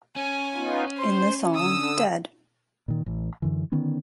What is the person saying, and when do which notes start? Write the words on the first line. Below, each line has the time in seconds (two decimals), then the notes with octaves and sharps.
In the song ""Dead!
0.16 C#4 G#5
0.54 B3 D#4 F4
0.98 C5 C6
1.54 D3 D#6 E6
2.88 A#2 D#3
3.06 A1 E3
3.42 F#2 D3 E3
3.72 D3 D#3 B3 C#4